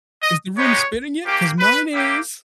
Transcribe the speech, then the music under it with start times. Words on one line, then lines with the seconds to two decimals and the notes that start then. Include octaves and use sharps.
Is the room spinning yet? 'Cause mine is.
0.22 D#5
0.56 G#3 B3 D#4 G4 C#5
1.25 A#3 C#4 G4
1.59 B4
1.93 A#3 E4 G4